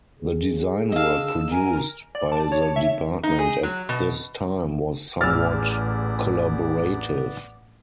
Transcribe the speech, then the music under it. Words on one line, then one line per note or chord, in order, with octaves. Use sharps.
The design work produced by the department at this time was somewhat collaborative.
G#4
D4 D#5 F5 E6
A#4 G#5
D5
A5
C#5
E5
D#4
G#4
F#3
B2
A1 E2 B3 D5 E6 F6 A6